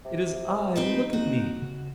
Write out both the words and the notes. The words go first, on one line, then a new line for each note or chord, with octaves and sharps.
It is I! Look at me!
C3
C4 D#4 G4 B4
A#3 C4 F#4
C#3